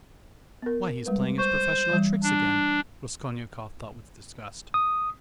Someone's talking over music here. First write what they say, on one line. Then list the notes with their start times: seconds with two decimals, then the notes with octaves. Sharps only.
"Why, he's playing his professional tricks again," Raskolnikov thought with disgust.
0.62 B3 A#4
1.06 G3 G#3 B4
1.38 C5 C#6
1.91 E3 G3
2.23 D4
4.74 D#6